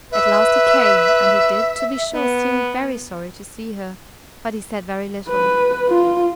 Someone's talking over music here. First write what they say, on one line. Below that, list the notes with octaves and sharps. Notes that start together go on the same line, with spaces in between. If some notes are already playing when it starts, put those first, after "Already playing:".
At last, he came, and he did, to be sure, seem very sorry to see her, but he said very little.
B4 E5
B3
B4
F4